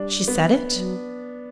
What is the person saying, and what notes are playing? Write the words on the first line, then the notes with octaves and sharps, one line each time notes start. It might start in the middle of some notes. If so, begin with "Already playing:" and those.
She said it?
Already playing: G3 D4
B3
F#3